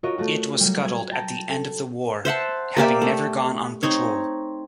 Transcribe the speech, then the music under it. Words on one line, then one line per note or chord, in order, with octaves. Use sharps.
It was scuttled at the end of the war, having never gone on patrol.
F4 F#4 A#4 C#5 D#5
A3 F4 F#4
F#3 G3
G#6
G5 A5 A#5
A4
C5 E5 F#5 A5
A#3 G4 D5 E5
A3
C4 D#4 C#5